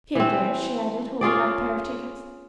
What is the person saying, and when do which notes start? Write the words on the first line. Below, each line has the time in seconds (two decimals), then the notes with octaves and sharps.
"Here, dear," she added, holding out a pair of teacups.
0.15 E3 C4
1.21 C#4 F4 G#4 D5